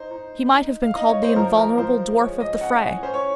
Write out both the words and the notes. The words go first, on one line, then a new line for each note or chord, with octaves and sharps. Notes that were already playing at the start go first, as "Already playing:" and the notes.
He might have been called the invulnerable dwarf of the fray.
Already playing: D#4 C5
D#4
D#4
F5
D#4 D#5
C#5
C5
F3 A#4
A#4
F3 C5
G#3 C#5
D#5
C#4 F#5
G#5
C#4 C5
C#5